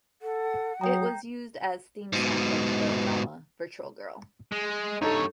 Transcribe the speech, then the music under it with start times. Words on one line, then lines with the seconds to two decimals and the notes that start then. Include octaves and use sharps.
It was used as theme song of the drama "Virtual Girl".
0.22 A4 F#5
0.81 F#3 G5 A#5 D#6
2.13 G#2 B2
4.52 G#3
5.02 G2 D#4 A4 C#5